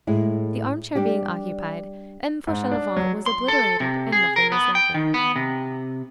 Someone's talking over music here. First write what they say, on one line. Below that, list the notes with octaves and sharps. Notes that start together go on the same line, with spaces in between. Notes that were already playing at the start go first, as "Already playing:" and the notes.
The arm-chair being occupied, M. Fauchelevent was obliterated; and nothing was lacking.
A2 G#3 E4
G3 D4 G4
G#2
D4
F#3
C6
A4
C3
G#4
A#4
B3
G5
D#3
B3
C3